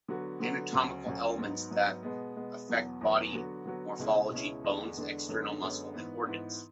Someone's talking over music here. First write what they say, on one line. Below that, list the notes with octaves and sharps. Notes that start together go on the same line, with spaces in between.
Anatomical elements that affect body morphology: bones, external muscles and organs.
D3 F#3 B3 F#4
D3 F#3 B3 F#4
D2 C#3 F#3
D2 C#3 F#3
G#2 F#3 B3
G#2 F#3 B3
B2 G#3 B3
B2 G#3 B3
E2 B2 F#3 B3
E2 B2 F#3 B3
D3 F#3 B3 F#4
D3 F#3 B3 F#4
C#2 B2 G#3 C#4 E4
C#2 B2 G#3 C#4 E4
E2 D3 G#3 D4
E2 D3 G#3 D4
F#2 D3 G#3 B3
F#2 D3 G#3 B3
G#2 E3 B3
G#2 E3 B3